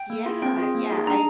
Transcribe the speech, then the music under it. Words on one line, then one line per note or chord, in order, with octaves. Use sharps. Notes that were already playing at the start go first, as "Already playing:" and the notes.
Yeah, yeah, I
Already playing: G5
A#3
F4 G#4
C4 G5
F4 G#4
A#3
D#4 G#4
D4 A#5